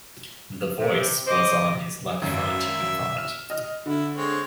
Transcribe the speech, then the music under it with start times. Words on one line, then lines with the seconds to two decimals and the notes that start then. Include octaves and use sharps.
The Voice was on his left front, he thought.
0.80 C3
1.27 C5 D#5 D6
2.22 G#1 F#2 E5
3.17 F6 E7
3.50 D#5 F6
3.86 D3 E4
4.16 G#3 C4 C#5